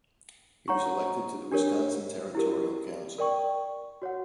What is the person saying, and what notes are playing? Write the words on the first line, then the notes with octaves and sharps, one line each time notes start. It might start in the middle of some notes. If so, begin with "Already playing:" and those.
He was elected to the Wisconsin Territorial Council.
C#5 F#5 A#5 C#6
D4 G4 A#4 C#5
E4 G4 A#4
A#4 D5 G5 C#6
F#4 C#5 F#5